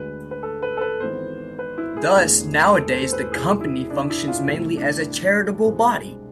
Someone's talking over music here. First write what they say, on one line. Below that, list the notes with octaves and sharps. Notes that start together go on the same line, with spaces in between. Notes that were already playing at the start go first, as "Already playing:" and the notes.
Thus nowadays the Company functions mainly as a charitable body.
Already playing: D2 D3 G#3 B4
B4
A4
B4
A4
B4
G#1 G#2 E3 B3 C5
B4
E4
G#4
E1 E2 D3 A3
A4
C5
B4
E1 E2 C3 E3 G#4
E4
D4
E4
F4
C2 C3 E3 A3 E4
D4
C2 B2 G#3 C4